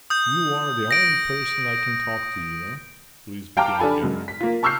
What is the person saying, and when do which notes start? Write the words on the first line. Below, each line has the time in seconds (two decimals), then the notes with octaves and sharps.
"You are the only person I can talk to, you know," Lise began again.
0.10 D#6 G6
0.91 A#6 D7
3.57 F5 G5 A5 A#5 D6 F6
3.79 D4 G4 A4 G#5 B5
4.02 F#2 G#3
4.28 B6
4.40 A#3 F4
4.63 A5 C#6 E6 F6 G6 C7